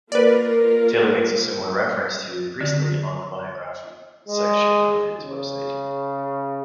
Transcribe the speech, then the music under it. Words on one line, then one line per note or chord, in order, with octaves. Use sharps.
Taylor makes a similar reference to Priestley on the biography section of his website.
A#3 F4 A#4 B4 D5
D3
G#3
C#3